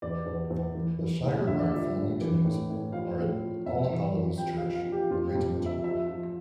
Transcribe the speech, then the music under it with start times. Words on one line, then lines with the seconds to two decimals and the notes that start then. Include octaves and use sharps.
The Shireburne family tombs are at All Hallows' Church, Great Mitton.
0.02 E2 D5
0.26 E2
0.50 E2
0.75 E3
0.99 E3
1.23 A2
1.47 D3 E5
1.59 D5
1.71 F3 E5
1.97 G2
2.21 E3
2.44 A2
2.69 A2
2.92 F3 F5
3.18 A2
3.42 F3
3.66 F2 E5
3.90 E3
4.14 E3
4.38 F3 G5
4.57 F5
4.62 F3
4.74 F5
4.86 F3
4.92 G4
5.10 F2 F4
5.29 G4
5.35 F2
5.60 F2
5.66 E5
5.84 F3 E5
6.08 F3